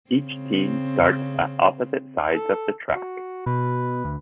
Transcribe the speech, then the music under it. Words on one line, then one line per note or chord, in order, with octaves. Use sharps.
Each team starts at opposite sides of the track.
C#3 C4
A4
F#4
B2 B4
D2